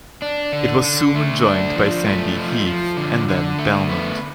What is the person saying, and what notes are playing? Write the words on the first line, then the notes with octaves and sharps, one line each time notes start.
It was soon joined by Sandy Heath and then Belmont.
D4
D3
D3
A3
D4
F3
A3
F3
F3
D3
D3
A3
B3